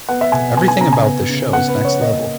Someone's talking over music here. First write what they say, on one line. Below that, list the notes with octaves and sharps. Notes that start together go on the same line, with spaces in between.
Everything about this show is next level.
B3 F#5
E5
B2 G#5
B3 G#5
G#5
C#3 A#5
G#5
B3
C#3
B3 F#5
B4
C#3
C#5
A#3 D#5